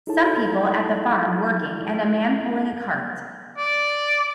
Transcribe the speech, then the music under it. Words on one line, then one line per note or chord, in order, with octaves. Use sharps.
Some people at the farm working and a man pulling a cart.
D#4 E4 G#4 A4 C#5 A5
D5